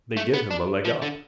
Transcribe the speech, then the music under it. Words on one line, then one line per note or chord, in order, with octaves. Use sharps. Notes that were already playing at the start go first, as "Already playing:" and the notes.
They give him a leg up.
A3
B3
D4
F3
D3